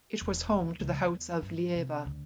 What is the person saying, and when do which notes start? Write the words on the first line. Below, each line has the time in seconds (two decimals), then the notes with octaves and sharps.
It was home to the house of Leiva.
0.21 E1
0.61 D#2
0.80 C#2
1.05 E2
1.42 G2
1.75 C3
2.05 D2